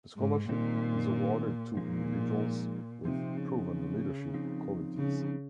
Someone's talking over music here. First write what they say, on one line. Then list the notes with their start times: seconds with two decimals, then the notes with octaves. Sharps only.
The scholarship is awarded to individuals with proven leadership qualities.
0.17 G#2
0.48 A#2 D#3 G3 C4 D#4
1.77 A#2 F3 G#3 D#4
3.05 C3 F3 C4 D#4
3.37 C#3
4.34 F3 C4 D#4
4.97 C#3